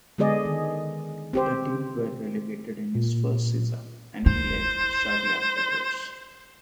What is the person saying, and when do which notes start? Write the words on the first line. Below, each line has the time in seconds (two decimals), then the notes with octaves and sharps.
The team were relegated in his first season, and he left shortly afterwards.
0.18 D3 G#3 B3 G#4 D5 D#5
0.45 D#3
1.33 C4 G4 C5
2.95 A#2
4.26 E4 C5